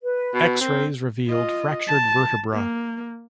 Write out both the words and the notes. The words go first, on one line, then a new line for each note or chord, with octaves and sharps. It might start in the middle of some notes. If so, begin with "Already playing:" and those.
X-rays revealed fractured vertebra.
B4
B2
C4 A#4
F4 D#5
A5
A#3